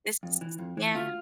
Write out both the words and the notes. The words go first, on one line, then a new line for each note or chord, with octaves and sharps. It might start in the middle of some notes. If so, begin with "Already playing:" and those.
this is Yeah,
F2
E3
F2
E3
D2 F4